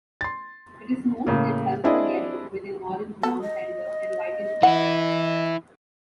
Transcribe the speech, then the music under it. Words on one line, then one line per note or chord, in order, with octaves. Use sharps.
It is smooth and sulphur yellow with an orange-brown centre and whitish margin.
C6 A6
A2 C#3 A#3
C4 D4 E4 G#4 D5 D#5
B3 A4
D#5
E3 E4 F#5